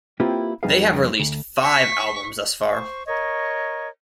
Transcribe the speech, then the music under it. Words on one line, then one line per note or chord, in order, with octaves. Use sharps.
They have released five albums thus far.
A#3 C4 E4 F4 G4 B4
F2 G3 D#4 G#4 B4 F5
D2
C#6 B6
C5 C#6
A#4 C#5 D#5 C#6